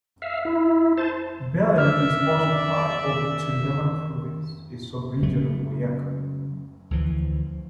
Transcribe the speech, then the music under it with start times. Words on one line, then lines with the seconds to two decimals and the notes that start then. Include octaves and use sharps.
Belen is also part of the Tundama Province a subregion of Boyaca.
0.22 E5 F5
0.45 E4
0.97 C5 A5
1.78 D#3 D5 E5 F6
5.23 C#3 F#3 G#3 A3
6.91 D2 E3 F3